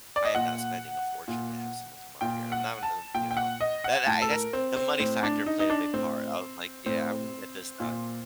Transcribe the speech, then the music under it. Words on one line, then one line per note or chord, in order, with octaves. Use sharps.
I am not spending a fortune to have someone come out here. I'm not not you know," That that I guess the money factor played a big part. I was like, "Yeah. I'm gonna get this done."
D5
D#5
A#2 F#5
A#2
A#2 G5
F#5
A5
A#2 G5
G5
F#5
D#5
F#5
A2 A5
A4
A#4
C4
C4
A2 C4
D4
D#4
D#4
D4
A2 C4
A2 C4
A#2